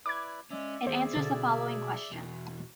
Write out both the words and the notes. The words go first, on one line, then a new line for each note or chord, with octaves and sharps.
It answers the following question.
E4 B4 D5 D6 G#6
G#3 C#4 D5 E5
D#2 G#4 C5
B2 D3 A6
E2 B2